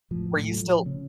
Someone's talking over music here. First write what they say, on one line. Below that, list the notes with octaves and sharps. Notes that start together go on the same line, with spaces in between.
were you still
A2 F3
A2 A3
F#3
F3
C#3 C#4